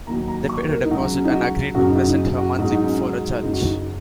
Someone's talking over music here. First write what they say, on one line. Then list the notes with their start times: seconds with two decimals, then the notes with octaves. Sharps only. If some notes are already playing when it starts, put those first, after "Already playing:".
They paid a deposit and agreed to present her monthly before a judge.
0.07 D#2 D#3 F#3 A#5
0.28 A#5
0.49 C#6
0.70 A#4
0.85 D#4
0.91 C#2 C#3 F#3 F#4
1.15 C#4
1.24 D#4
1.32 F#4
1.75 F#2 C#3 F#3 F#4
1.90 D#4
1.96 F#4
2.08 D#4
2.17 C#4
2.38 F#4
2.58 G#2 F#3 F#4
2.71 D#4
2.84 C#4
2.97 D#4
3.42 F#2 C#3 F#3 D#4
3.53 F#4
3.64 D#4
3.75 F#4